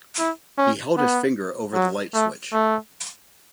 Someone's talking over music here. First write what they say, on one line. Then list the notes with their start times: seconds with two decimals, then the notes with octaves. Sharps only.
He held his finger over the light switch.
0.19 E4
0.58 C#4
0.97 B3
1.75 F#3
2.14 A3
2.53 A3